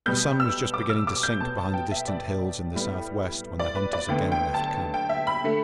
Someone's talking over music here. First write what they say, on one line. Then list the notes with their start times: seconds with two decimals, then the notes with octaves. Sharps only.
The sun was just beginning to sink behind the distant hills in the southwest when the hunters again left camp.
0.06 B2 G3 B3 G6
0.40 E6
0.74 D6
0.90 E6
1.07 D6
1.23 G6
1.40 B2 B3 A5
1.58 A5
1.74 G5
1.92 E5
2.08 D5
2.75 A2 G3 B3
3.59 D5
3.75 B4
3.93 D5
4.09 D2 D3 B3 G5
4.32 G5
4.54 A5
4.94 G5
5.09 E5
5.27 B5
5.44 D3 A3